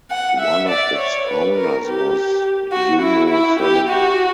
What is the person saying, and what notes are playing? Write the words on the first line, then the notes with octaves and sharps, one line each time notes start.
One of its founders was Yuno Semenov.
F#5
E5
D5
C#5
B4
A#4
G4
F#4
E4
E4
G4
F#4